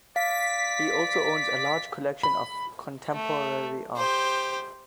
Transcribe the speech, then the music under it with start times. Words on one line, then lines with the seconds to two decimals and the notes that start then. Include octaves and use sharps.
He also owns a large collection of contemporary art.
0.16 D5 F5 B6
2.23 B5
3.13 A3
3.97 G4 C5